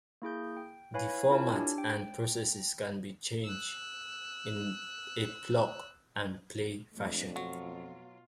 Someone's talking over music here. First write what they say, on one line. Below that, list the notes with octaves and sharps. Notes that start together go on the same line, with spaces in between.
The formats and processes can be changed in a plug and play fashion.
A#3 E4 G#4 G6
G5
E4 B4 C#5 F5 G#5 B5
E4 F4 A#4 C#5 G#5 A5
D4 G4
G5
E6 F#6
F2 G#3 A3 D4
B2 F#3 F4